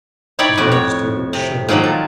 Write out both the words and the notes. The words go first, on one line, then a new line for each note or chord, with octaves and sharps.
His Majesty looked chagrined.
D#4 E4 C#5 D5 G5 B5
F2 A2 F#4 D5
C#5
C3
A#2 D#3 F3 F#3 A#3
A4